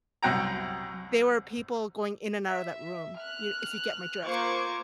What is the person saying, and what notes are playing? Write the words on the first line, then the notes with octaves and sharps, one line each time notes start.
there were people going in and out of that room, you if you get my drift.
C2 F#2 F#4 G5 A#5
E5
F6 F#6
A#3 F4 C5 C#6 D6 G#6